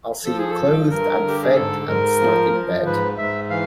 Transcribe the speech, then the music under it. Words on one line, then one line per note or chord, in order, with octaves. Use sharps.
I’ll see you clothed and fed and snug in bed.
F3 A4
G#4
A4
G2
G2 A#4
D3
G4
G#4
G#2 A4
G#2 A#4
F3
F3
G#2 B4
G#2 E5
E3 F5